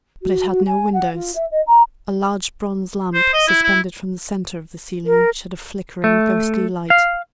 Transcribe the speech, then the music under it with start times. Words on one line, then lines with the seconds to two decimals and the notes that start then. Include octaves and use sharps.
But it had no windows--a large bronze lamp, suspended from the centre of the ceiling, shed a flickering, ghostly light.
0.22 F#4
0.50 F#4
0.66 G#5
0.93 F#5
1.14 F4
1.35 E5
1.51 D#5
1.67 A#5
3.14 C5
3.33 D#5
3.47 E4
3.64 E4
5.05 A#4
6.04 A3
6.90 F5